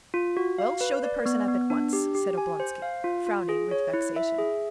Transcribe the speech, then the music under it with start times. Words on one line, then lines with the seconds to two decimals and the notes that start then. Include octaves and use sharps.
"Well, show the person up at once," said Oblonsky, frowning with vexation.
0.14 F4
0.37 F#4
0.58 F5
0.81 B4
1.04 D5
1.26 B3
1.48 B3
1.70 D4
1.93 G4
2.15 G4
2.38 G#5
2.60 C5
2.82 F5
3.04 F4
3.27 F4
3.49 G#4
3.71 C#5
3.94 E4
4.16 E5
4.39 G#4